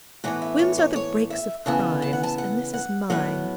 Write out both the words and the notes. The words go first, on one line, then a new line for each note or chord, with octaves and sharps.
Whims are the brakes of crimes: and this is mine.
A2 E3 B3 F#5
E5
C#5
C#5
C#5
E5
C#3 E3 B3 A5
A5
F#5
A5
F#5
F#5
A2 F#3 B3 F#5